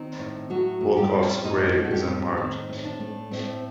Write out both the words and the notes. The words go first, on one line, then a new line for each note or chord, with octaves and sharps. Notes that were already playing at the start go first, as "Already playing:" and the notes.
Willcocks' grave is unmarked.
Already playing: D#3 C4 D#4
A2
F#3 A3 F#4
A2
G3 G4
C4
A2 D#4 D#5
A3
F#4
G3 G4
A2
D#3 C4 D#4
A2
D4
A3
A2 C4